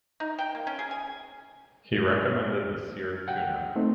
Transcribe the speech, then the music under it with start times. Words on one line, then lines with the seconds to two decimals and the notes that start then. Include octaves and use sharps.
He recommended the seared tuna.
0.20 D#4
0.39 G5
0.55 A#3
0.67 C#4
0.79 G#4
0.91 G#5
3.28 F#5 G5
3.76 A3 C4 D#4